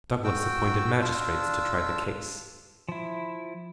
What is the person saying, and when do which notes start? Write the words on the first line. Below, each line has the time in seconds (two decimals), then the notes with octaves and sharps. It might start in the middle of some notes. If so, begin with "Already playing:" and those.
Douglas appointed magistrates to try the case.
0.24 F#4 G5 E6
1.01 D4 F4 E6
2.89 F3 E4